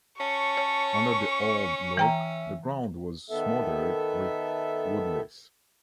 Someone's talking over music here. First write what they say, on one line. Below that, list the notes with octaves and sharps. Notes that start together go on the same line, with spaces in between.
Under the old log the ground was smothered with woodlice.
C#4 A5 C#6
C#5
E3 E5 G5 A#5
D#3 B3 A4 E5